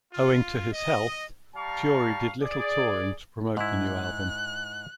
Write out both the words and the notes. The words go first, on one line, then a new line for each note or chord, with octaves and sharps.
Owing to his health, Fury did little touring to promote the new album.
F4
D#5
G3 F5 A5 A#5 C#6
G#4 D5
G#2 E4 F#6